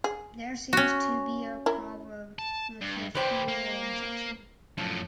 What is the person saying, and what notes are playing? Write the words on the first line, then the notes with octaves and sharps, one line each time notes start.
There seems to be a problem with the fuel injection.
G#4
C#4 F#4
E4 A#4
A5
G2
E3 G4 B4 C5 G5
A#3
F#2 A2 F3